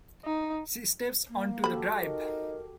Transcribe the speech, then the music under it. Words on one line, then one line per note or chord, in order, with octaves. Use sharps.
She steps on to the drive.
D#4
A#3
F3 F#4 G4 A4 B5
D#4 A#4